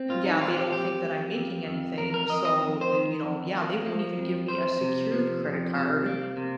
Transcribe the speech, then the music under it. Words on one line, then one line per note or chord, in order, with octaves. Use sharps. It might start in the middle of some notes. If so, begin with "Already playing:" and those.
Yeah, they don't think that I'm making anything, so, you know, yeah, they won't even give me a secured credit card,
Already playing: C4
A#2 F4
D#4
C4 F4
G4
F2 G4
A#3
F2
F2
F2 A#4
A#4
F2 D#5
D#5
F2
C5
D#3
F2
A#3
F3
F2
F2 C5
C3
F3
F2
C3
A#3
C3